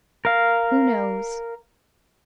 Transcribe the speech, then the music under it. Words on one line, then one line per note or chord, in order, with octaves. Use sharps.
"Who knows?"
A#4 F5